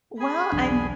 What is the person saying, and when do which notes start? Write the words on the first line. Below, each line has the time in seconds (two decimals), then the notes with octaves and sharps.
Well, I'm
0.20 G#4 G#5 B5
0.52 B1 E2 D4